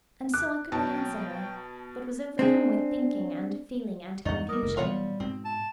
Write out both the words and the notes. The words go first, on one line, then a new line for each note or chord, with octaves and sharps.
And so I could not answer her, but was overcome with thinking and feeling and confusion.
D6 F#6
B2 F#3 G5 A5
C4 D4 G#4
E2 G2 D#4 E4 D#5 F#5 C#6
F3 G3 A#4 D6 D#6
F1 D#2
B2 E3 F#3 G3 F4 C#5 F#5
G#2 B2 C4
A5